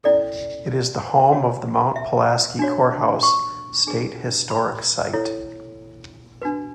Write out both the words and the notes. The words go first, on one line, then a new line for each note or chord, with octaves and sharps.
It is the home of the Mount Pulaski Courthouse State Historic Site.
C#4 E4 A4 D5
C#4 F#4 C#5
E5
D4 F#4 C#5
C#6
D4 G#4 B4
B5
E4 A4 C#5
D4 F#4 B4